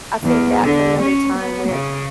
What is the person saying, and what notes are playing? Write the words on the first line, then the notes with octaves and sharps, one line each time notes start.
I think that's another time where
E2
D3
C#4
B3
C#3